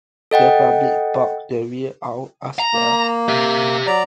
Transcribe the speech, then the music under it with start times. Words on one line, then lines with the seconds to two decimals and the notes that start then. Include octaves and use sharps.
The public bought the real Owl as well.
0.31 A4 D#5 F#5 G5
2.59 A#5
2.74 A#3
3.29 G4 E5
3.87 F#3 D5 A#5